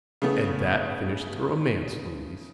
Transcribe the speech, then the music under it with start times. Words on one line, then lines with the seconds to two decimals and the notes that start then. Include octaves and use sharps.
"And that finished the romance, Louise."
0.22 C#3 A3 B3